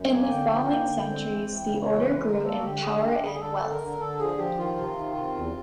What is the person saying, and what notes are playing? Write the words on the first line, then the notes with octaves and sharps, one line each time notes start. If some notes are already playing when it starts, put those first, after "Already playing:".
In the following centuries the order grew in power and wealth.
Already playing: F#2
A#3 G#5
D3 G5
F3
A#3
D3
C4
E3
E3
C#3
E3 C#5
G#3 B4
D3 A#4
A#3 A4
F#4
D3 G4
D3 G#4
D4 G4
D3 G#4
G#4
D3 A4
D3
A#4
D3
D3 A4
F3 G#4
F3 G4
D#3 F4
C3
D#3
C3
E2